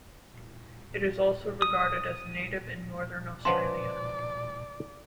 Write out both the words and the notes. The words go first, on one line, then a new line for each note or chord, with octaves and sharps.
It is also regarded as native in northern Australia.
D#6
C#3 F3 G#3 B4 D5 F#5 A5 C6